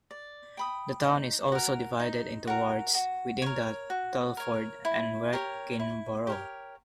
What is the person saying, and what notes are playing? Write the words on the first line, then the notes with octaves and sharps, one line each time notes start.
The town is also divided into Wards, within the Telford and Wrekin borough.
D5
G5 B5 D#6
D#4
F#4 A#4
D#4
F#4 A#4
F#4
A#4 C#5
F#4
A#4 C#5
E4
G4 A#4 C#5
E4
G4 A#4 C#5